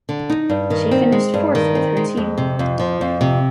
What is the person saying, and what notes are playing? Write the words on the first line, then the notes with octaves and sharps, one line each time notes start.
She finished fourth with her team.
D3
D#4
G2
D#3
C4
G#3
G2
D#3
C4
G#3
F2
C3
F2
F3
F2
C3